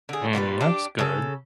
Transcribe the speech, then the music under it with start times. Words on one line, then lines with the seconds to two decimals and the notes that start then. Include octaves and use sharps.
Mm, that's good.
0.09 D3 G#4
0.33 A#2 G3 F#4 B4
0.61 D4 G4
0.99 C#3 A4